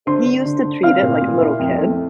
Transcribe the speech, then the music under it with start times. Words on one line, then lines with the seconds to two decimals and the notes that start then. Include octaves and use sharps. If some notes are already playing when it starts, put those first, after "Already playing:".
He used to treat it like a little kid.
0.07 D3 C5 C6
0.26 D3
0.45 D3
0.65 D3
0.83 C4 F5 F6
1.02 A#2
1.21 A#2
1.41 E4
1.59 F2
1.78 A3